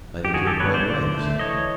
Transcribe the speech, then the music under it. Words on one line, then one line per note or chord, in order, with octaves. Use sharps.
"I think you are quite right," I said.
G4
D#3 F#4 G#4
G4 A4
B3 B4 C#5
C5 D5
D3
A3
E3 C#5 D#5